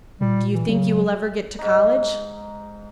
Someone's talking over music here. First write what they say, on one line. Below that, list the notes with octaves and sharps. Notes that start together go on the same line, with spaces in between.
"Do you think you will ever get to college?"
A#2 G3
E3
C#3 F#3
G#2 D#4